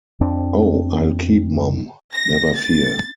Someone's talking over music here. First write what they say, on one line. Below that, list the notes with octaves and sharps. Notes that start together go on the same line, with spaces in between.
Oh, I'll keep mum, never fear.
F2 C4 D4
A#6
A6